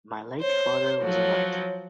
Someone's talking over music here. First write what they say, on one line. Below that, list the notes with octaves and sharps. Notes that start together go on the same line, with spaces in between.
My late father was a writer.
C5 C#5
F3 F#3